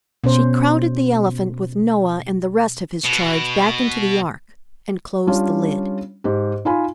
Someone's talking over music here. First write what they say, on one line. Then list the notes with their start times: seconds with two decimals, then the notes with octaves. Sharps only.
She crowded the elephant with Noah and the rest of his charge back into the ark and closed the lid.
0.24 B2 C#4 C5
3.05 B2
5.27 G3 C#4 D4 F4 C#5
6.24 G#2 G4
6.65 D#4 F4 G#5 B5